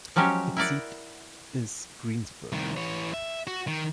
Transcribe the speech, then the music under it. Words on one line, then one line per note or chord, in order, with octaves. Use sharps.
Its seat is Greensburg.
F3 F#3 G#3 C#4 G4 C#5
E4 A#4 D5 F#5
C2 D#3
E3 C#5
E5
F#4
D#3